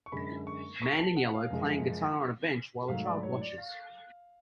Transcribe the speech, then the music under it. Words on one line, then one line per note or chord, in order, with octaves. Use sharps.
Man in yellow playing guitar on a bench while a child watches.
C#6
F#2 D3 G#3 B5
C#6
C#6
A5
F#5
F5
F#2 C#3 F3 G#3
G#2 F#3 A3 F5
D5
C#5
D5
F5